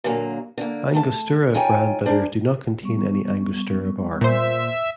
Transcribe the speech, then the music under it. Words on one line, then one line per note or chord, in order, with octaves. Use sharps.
Angostura brand bitters do not contain any angostura bark.
A#2 D3 F#3 A#3
D3 A#3
A3 A5
D#4 F4 C#5 G5 G#5
D4 A#4 C5
G3 B3 C#6
A#2 C5 E5